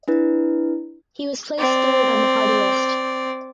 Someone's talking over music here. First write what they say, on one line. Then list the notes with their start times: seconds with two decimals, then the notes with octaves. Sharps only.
He was placed third on the party list.
0.08 D4 E4 B4
1.59 C4 D5